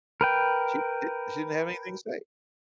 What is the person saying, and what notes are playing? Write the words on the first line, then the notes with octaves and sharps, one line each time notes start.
She d she didn't have anything to say.
A#4 B4 G5